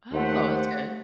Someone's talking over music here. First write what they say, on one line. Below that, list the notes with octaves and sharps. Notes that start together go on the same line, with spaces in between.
Oh, that's good.
D#2 A3 C5 F#5